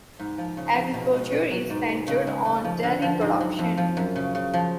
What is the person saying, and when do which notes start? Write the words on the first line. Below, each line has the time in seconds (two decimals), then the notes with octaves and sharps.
Agriculture is centered on dairy production.
0.19 G#2
0.38 F3
0.57 C#3
0.75 F3
0.94 B2
1.13 G#3
1.32 B2
1.51 F#3
1.70 G#2
1.89 G#3
2.07 C#3
2.27 G#3
2.45 C#3
2.64 F3
2.83 D3
3.02 F3
3.21 G#2
3.40 F#3
3.59 F2
3.78 F3
3.97 F#2
4.16 C#3
4.35 C#3
4.54 F3